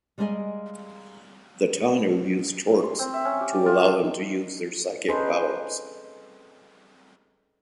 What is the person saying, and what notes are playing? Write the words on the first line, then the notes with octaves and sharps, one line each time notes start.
The Tanu use torcs to allow them to use their psychic powers.
G3 G#3 A#3 B3 G#4 D#5
C6
C4
E5
C#4
G4
D5
F4
A3
D#4
C#4 D#4 G#4 A4 B4 C5